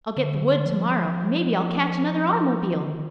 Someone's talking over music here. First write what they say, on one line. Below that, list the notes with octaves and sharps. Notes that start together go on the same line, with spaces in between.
"I'll get the wood to-morrow, and maybe I'll catch another automobile."
D3
D3
F3
D3
D#3